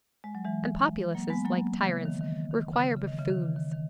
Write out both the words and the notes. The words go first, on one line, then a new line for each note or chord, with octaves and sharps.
And populaces, like tyrants, require buffoons.
G#3
F#3
E3 G#3
F#3 A#3
G#3 B3
F#3 A#3
C#3 E3
D#3
D#3
D#3
C#3
C#3
D#3
C#3 E3
D#3
C#3
D#3
D#3